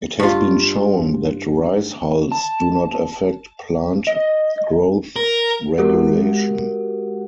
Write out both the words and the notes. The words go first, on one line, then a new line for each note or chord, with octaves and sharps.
It has been shown that rice hulls do not affect plant growth regulation.
G2 F4
A5
D#5
A#4
G#3 F#4 G4 A#4 F#5